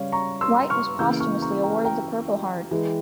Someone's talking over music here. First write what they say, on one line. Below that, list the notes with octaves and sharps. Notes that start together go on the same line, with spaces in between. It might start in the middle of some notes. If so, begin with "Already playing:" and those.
White was posthumously awarded the Purple Heart.
Already playing: C#3 G3 C#5 F5
A#5 C#6
C6 E6
C#6 F6
C#3 E3 A#3 E6 G6
C#6 F6
A#5 C#6
G5 A#5
G5 A#5
E3 G#3